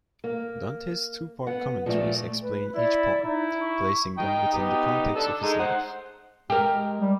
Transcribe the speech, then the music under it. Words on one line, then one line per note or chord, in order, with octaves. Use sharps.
Dante's two-part commentaries explain each poem, placing them within the context of his life.
A#3
B3 F#5
A#2 F3 A3 D5
B4
E4 D5
D#4 E4
C#6
D#4 G5
B3 D#4 G4
D4 A4
G#3 D#4
C5 F#5
G#3 G4 A#4
G3